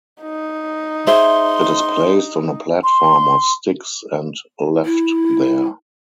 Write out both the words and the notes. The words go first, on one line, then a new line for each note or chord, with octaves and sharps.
It is placed on a platform of sticks and left there.
D#4
G#4 C5 E5 C6
C6
E4